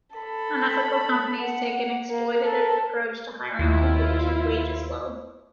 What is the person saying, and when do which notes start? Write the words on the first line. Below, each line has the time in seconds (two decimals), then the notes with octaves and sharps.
Unethical companies take an exploitative approach to hiring people to keep wages low.
0.16 A4 B5
1.41 F#5
2.10 A#3
2.44 A4 A#4
3.59 D#2 E4 F4